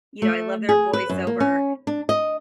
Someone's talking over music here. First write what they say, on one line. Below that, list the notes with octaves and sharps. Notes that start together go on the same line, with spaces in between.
you know, "I love their voiceover,"
A3
G#4
B4
F#2
A#3
C#4
D4
D#5